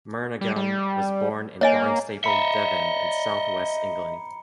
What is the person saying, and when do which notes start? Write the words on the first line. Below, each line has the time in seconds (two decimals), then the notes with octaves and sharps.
Murnaghan was born in Barnstaple, Devon in South West England.
0.41 G3
0.56 G3
1.61 A#3 C#5 D#5 G#5
2.24 D#5 E5 A#5 B5 C#7